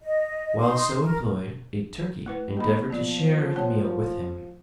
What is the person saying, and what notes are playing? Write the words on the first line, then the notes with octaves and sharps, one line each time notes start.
While so employed, a turkey endeavoured to share the meal with him.
D#5
D#4 C6
A#4
A3 E4 B4
A3 A#3 D#4 F#4 B5
F3 B3 F4 D5
A3 C#5 A5